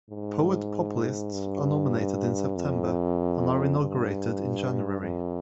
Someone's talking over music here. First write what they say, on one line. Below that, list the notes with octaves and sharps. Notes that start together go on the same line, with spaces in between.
Poet Populists are nominated in September and are inaugurated in January.
G#2
G2
F2
G2
F2